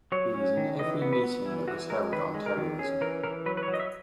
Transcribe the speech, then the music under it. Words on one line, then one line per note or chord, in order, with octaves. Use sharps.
He was in every meeting that was held on terrorism.
F#3 C#5
C#4
D#3
E3 D#5
B3
B4
B3
E3 E4
E3 F#4
G#3 A#4
D#3 B4
G#3
A#4
D#3
C#4 G#4
E3 A#4
E3 A#4
F#3 B4
B4
C#5
F#3
D#5
E5